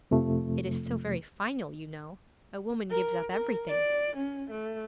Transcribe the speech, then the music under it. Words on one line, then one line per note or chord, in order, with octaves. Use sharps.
It is so very final, you know. A woman gives up everything.'
F2 C3 F3 A3
A#4
A#4
D5
C#4
A3